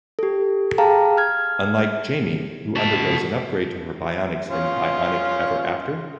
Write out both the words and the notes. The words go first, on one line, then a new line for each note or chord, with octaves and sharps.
Unlike Jaime, who undergoes an upgrade to her bionics in Bionic Ever After?
G4 A4
G#4 F5 G5 A5 A#5
F6 G#6
F#4 A5
C#4 F4